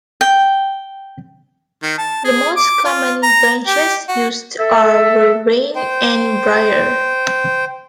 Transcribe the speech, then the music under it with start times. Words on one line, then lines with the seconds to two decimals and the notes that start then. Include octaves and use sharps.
The most common branches used are Vervain and Briar.
0.21 G5
1.83 D#3
1.98 A5
2.25 G#4
2.57 D6
2.85 F4
3.23 A#5
3.67 G4
4.09 F#4
4.60 A4 E5
5.76 C5 G5